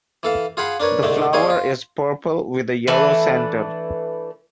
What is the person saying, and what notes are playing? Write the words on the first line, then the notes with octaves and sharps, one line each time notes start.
The flower is purple with a yellow center.
E3 A4 F5
F4 G#4 F5 F#5 B5
D4 A#4 B4 C#5
C2 G#2 D3 A3
G3 C4 G#4 C#5 D#5 F5
F4
E3 A3 D4 B4